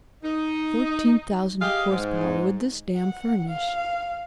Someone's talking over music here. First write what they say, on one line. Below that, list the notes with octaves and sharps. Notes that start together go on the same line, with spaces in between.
Fourteen thousand horsepower would this dam furnish.
D#4
G4 G#4 D#5 F5
G#2
F#5
F5